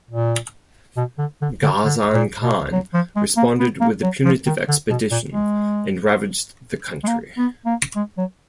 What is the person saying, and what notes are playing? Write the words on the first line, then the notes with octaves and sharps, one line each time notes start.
Ghazan Khan responded with a punitive expedition, and ravaged the country.
A#2
B2
D3
D3
D3
D3
A#2
B2
F#3
F3
G#3
A#3
B3
A#3
F#3
F3
D#3
D3
B2
A#2
G#3
G#3
A#3
B3
A#3
G#3
F#3